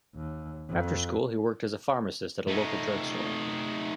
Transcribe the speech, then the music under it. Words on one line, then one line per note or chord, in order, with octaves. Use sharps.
After school, he worked as a pharmacist at a local drug store.
D#2
F2
A3 D#4